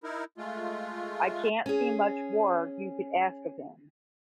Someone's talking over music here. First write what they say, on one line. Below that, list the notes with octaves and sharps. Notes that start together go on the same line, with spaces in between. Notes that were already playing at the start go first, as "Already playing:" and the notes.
I can’t see much more you could ask of him.
D#4 E4 A#4
G#3 A3 F4
C#4 G#4